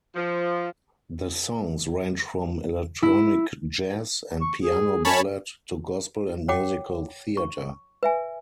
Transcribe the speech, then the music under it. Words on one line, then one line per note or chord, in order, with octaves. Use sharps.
The songs range from electronic jazz and piano ballad to gospel and musical theater.
F3
E4
C#6
G#4
C#4 C#5 A5 B5
C#5 F#5 G5 D6
C#6
B4 E5 G#5